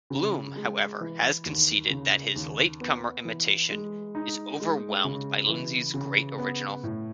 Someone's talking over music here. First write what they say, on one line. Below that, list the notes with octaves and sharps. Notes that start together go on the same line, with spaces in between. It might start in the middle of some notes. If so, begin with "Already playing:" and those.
Bloom, however, has conceded that his late-comer imitation is overwhelmed by Lindsay's great original.
C#3
G#3
E3
D#2
C#3
D#2
B3
E3
G#3
D#4
G#3
C#3
E3
C#3
B3
A2